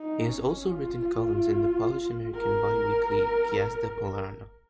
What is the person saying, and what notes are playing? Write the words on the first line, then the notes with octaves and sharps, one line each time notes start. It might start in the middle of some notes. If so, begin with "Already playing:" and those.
He has also written columns in the Polish-American biweekly, "Gwiazda Polarna".
Already playing: D#4
C#4
F4
A#4